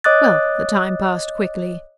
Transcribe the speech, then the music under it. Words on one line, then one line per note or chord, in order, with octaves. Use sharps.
Well, the time passed quickly.
C#5 D#5 D6 D#6 F#6 A6